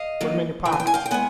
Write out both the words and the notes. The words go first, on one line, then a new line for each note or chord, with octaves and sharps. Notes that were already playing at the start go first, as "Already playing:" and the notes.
"Put 'em in yo' pockets."
Already playing: D#5 F5
D#3 F#3 A#3
E3 G5
G#5
G5
G#5
F5 G5
G5
G#3 B3 F#5 G#5